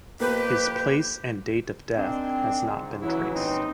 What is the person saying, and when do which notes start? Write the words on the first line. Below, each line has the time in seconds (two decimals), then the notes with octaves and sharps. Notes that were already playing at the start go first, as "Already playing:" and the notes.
His place and date of death has not been traced.
0.20 F2 A#3 G4 B4
1.96 D#3 G#3 C4 D4
2.63 C#2 G#2
3.01 C#3 E3 F#3 E4
3.34 A#2 G3 C4 D#4